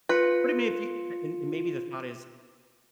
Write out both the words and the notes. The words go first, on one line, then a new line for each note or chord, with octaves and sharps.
But I mean if you and and maybe the thought is,
F4 B4 C#7